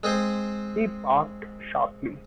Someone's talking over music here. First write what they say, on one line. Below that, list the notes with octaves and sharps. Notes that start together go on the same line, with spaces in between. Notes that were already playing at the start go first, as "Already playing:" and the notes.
He barked sharply.
G#3 C4 G#4 C5